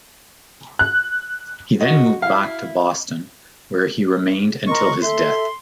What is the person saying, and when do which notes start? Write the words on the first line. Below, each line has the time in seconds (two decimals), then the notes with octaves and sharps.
He then moved back to Boston, where he remained until his death.
0.79 F#6
1.81 F#4 D#5
2.22 E4 F5
4.68 A#4 D#5 C6 C#6
5.02 A4 E5 C6